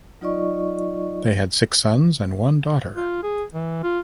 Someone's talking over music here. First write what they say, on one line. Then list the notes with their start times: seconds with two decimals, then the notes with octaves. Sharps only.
They had six sons and one daughter.
0.21 F#3 D#4 F4 D5 D#5 C#6
2.96 F4
3.23 G#4
3.54 E3
3.83 F4